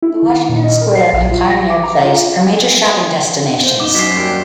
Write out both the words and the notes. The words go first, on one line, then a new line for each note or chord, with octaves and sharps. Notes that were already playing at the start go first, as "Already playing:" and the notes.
The Washington Square and Pioneer Place are major shopping destinations.
E4
D#3
A#2
D#5
A#4
C7
A#1
F4
A#6
D6
A#5
F4
C5
D#4 D6 G7
F#2 F#4 B6 C7
D#2 G3